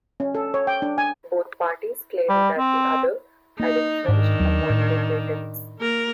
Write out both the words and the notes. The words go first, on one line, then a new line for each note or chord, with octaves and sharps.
Both parties claimed that the other had infringed upon their patents.
C#4
A4
C#5
G5
D4
G#5
G3
C4
A#3 D#4
G#2 D#3 D4
D#2 F#3
A2
A#3 A#4